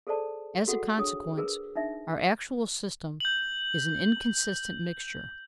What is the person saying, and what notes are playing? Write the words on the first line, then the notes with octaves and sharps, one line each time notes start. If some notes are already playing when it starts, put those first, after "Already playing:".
As a consequence, our actual system is an inconsistent mixture.
G#4 A4 C5 D5 A5
F#4 G#4 A4 F#5
D4 G#4 C#5 D#6
G#4 A#4 B4
D4 D#4 E5
G6 F#7